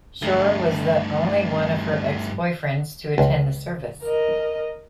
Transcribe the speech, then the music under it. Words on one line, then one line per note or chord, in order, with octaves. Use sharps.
Shore was the only one of her ex-boyfriends to attend the service.
G2 A3
C#2
A#4 D#5